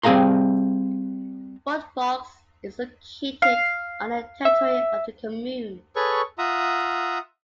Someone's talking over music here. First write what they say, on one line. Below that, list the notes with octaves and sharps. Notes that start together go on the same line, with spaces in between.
Fort Vaux is located on the territory of the commune.
G3 C4 G#4 F5 A#5 C6
F5
E5
G#4 A4 B4 C#5 C#6
F4 E5 F#5 A#5 D#6